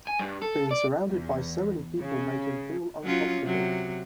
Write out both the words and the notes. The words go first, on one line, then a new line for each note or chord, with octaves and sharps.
Being surounded by so many people made him feel uncomfortable.
G#5
G2
A4
D5
E2
C#3
F#3 C#4 F4
C3 F#3